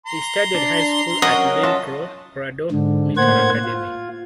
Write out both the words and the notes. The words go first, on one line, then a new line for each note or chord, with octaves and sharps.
He studied high school at Leoncio Prado Military Academy.
A#5 C6
D4
F#3 C#4 A#4 D#5 F#5
F4 F#4 E5 A5
G#2 D3
A2 A#3 C5 F#5 G#6
F4